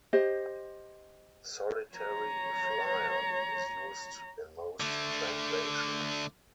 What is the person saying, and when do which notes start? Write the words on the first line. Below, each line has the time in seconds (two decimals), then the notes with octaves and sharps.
"Solitary flier" is used in most translations.
0.13 G4 C5 D#5
1.96 C#5 A#5
4.80 D3 A3